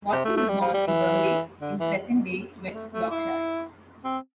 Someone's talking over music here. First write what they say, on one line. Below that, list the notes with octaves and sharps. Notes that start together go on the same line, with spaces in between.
Watson was born in Burley, in present-day West Yorkshire.
C3
A3
A3
G3
F3
G3
E3
D3
E3
A3
A3
E4
C4